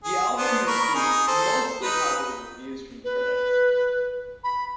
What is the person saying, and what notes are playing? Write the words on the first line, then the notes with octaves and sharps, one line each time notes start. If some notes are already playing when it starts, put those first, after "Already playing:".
The album received mostly positive reviews from critics.
G#4
B3 D4 C5
A#4 B5 C#6
D#4 G#4
A4 C5
D#4 B4
B4
B5